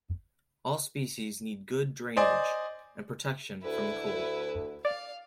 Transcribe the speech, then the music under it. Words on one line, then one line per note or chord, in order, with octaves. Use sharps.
All species need good drainage and protection from the cold.
C5 D5 D#5 G#5
D2 E4 B4
D5 F5